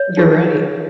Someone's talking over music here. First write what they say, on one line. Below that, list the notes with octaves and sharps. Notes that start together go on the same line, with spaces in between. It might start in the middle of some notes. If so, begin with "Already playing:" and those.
You're right.
Already playing: C#5
D#4 G#4 B4